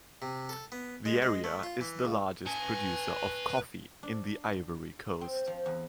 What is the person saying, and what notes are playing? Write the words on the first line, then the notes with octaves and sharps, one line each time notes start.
The area is the largest producer of coffee in the Ivory Coast.
C3
A4
B3
G#3
G#3
A3
F4
E3
C#2
B4 G#5 A5
D4
C4
F3
E2